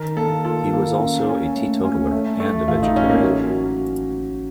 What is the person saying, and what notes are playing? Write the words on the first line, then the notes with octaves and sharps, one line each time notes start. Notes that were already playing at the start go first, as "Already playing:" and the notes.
He was also a teetotaler and a vegetarian.
Already playing: D#3 A#4
A#3 A4
F4 A4
A#3
C#4
C#4
A3
C#4
A3
A3
A1 F4
D#4
A1 C#4
A#3
F#3 C#4